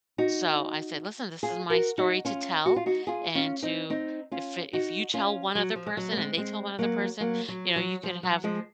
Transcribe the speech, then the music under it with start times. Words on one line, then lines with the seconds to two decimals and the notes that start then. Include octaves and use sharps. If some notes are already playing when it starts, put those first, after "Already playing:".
So, I said, "Listen, this is my story to tell, and to if if you tell one other person and they tell one other person, you know, you could have"
0.18 D#4 F#4
1.43 F4 G#4
1.70 F#4 A#4
1.98 D#4 F#4
2.25 C#4 F4
2.66 F#4
2.76 F4
2.86 D#4 F#4
3.07 F4 G#4
3.35 C#4 F4
3.62 C4 D#4
3.90 C4 D#4
4.31 C#4 F4
4.73 D#4 F#4
5.14 C#4 F4
5.55 F#3
5.76 F3
5.86 G#3
5.97 F#3
6.12 A#3
6.17 G#3 C4
6.37 G#3 C4
6.79 F#3 A#3
7.21 F#3 A#3
7.48 F#3
7.76 F#3
8.03 F3
8.23 F#3
8.44 F3 G#3